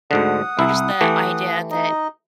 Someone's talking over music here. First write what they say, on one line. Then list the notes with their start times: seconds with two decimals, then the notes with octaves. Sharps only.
or just the idea that
0.11 D2 G#2 D3 F#5 D#6
0.59 C2 E4
1.01 E3 A3 G4
1.71 D#4 D#5